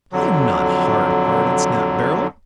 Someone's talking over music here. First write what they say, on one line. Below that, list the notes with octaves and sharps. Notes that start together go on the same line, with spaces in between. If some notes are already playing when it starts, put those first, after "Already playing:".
"I am not hard-hearted," snapped Beryl.
F2 D3 F#3